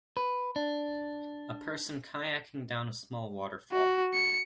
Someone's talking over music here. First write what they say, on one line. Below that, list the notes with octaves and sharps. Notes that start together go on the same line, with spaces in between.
A person kayaking down a small waterfall.
B4
D4
F#4
C#7